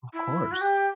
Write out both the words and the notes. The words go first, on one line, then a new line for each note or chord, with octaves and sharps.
Of course.
E4
F#4
G4